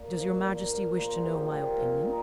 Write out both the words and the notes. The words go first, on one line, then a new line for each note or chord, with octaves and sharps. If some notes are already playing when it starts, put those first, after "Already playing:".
"Does your majesty wish to know my opinion?"
Already playing: A#2
D5
F3
D5
A#2 D5
F3
A#4
A#2 C5
G#4
F3
G4
A#2 F4
F3
A#2 D#4